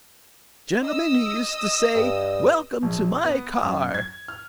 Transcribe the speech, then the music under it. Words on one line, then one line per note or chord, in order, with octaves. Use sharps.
Gentlemen, he used to say, welcome to my car.
D#5 D#6 E6
G2
A#1
B3
F#2
G#6
F6